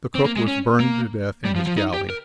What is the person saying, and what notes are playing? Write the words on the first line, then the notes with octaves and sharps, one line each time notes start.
The cook was burned to death in his galley.
C4
A#3
G#3
C#4
A#3
G3
F3
F3
D#4
G4
A#4